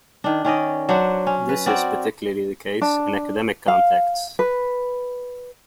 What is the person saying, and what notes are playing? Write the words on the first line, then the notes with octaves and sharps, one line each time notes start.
This is particularly the case in academic contexts.
D#3 D4
D#3 C#4 D5 D#5
F#3 D4 C5 F#5
C#4
B4
C4 F#4 A#4 D5
D4
F5
B4